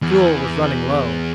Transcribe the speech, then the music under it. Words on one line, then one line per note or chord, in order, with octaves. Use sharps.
Fuel was running low.
E2